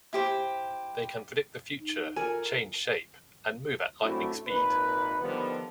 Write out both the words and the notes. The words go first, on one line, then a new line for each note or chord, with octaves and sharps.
They can predict the future, change shape, and move at lightning speed.
E4 G4 C5
D#4
F4 A4 A#4 D5 G#5
F#2 A3 C4 D4 E4 F#4
G#1 A#2 D#4 B4
D3 D#3 F3 G3 B3